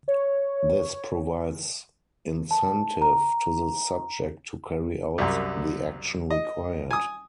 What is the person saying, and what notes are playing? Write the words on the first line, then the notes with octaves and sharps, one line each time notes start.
This provides incentive to the subject to carry out the action required.
C#5
A5
A#5
C2 F#2
D#5
G#5 D#6